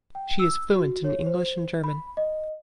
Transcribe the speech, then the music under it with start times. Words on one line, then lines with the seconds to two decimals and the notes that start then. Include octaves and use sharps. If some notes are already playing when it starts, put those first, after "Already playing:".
She is fluent in English and German.
0.15 G5
0.39 E6
0.76 F#4
1.04 C#5
1.26 C5
1.84 B5
2.17 D#5